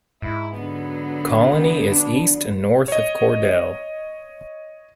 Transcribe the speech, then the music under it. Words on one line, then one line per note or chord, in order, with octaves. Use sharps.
Colony is east and north of Cordell.
G#2 E4
D3 F#3 B3
D4
C#5 D#5